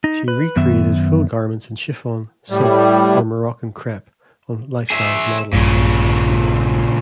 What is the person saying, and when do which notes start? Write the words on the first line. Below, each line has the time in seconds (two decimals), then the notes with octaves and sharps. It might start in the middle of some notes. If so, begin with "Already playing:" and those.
She recreated full garments in chiffon, silk, or Moroccan crepe on life-size models.
0.04 D#4
0.28 B4
0.56 F#2 D#3 B3 E5
2.50 A2 G3
4.90 G#4 E5
5.53 A#1 G2 A#2 C#3